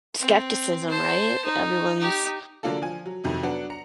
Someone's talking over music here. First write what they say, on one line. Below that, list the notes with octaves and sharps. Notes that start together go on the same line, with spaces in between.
skepticism, right, everyone's
C4
C5 A5
D#4
D#4 G4
D3 F#3 A#3 D4 F4 A4
F3 G#5
F#3
F2 C3 D#3 F#3
F#3 B3 D4 F#5
A#5 C#7